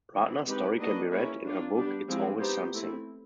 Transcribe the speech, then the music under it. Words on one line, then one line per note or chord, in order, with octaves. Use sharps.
Radner's story can be read in her book, "It's Always Something".
E3 G#3 C4
G#3 C4 D#4 G4 B4
A#3 D4 F#4 B4 D#5
A#3 C#4 E4 G#4 B4
A#3 D4 F4
G3 B3 D4 G4
F3 G#3 C4 E4 G4
B3 D#4 G4 C5
A3 C4 E4